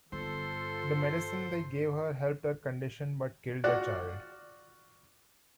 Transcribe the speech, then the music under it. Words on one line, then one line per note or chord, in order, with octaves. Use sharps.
The medicine they gave her helped her condition but killed the child.
G1 F4 A4 C5
F4 F#4 D5 F#5